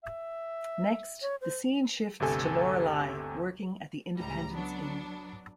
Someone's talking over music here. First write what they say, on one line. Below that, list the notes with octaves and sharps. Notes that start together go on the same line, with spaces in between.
Next, the scene shifts to Lorelai working at the Independence Inn.
E5
C#5
C5
G1 D2 C3 A4 G#5
C#2 A2 G3 A#5
F#3 B3 D4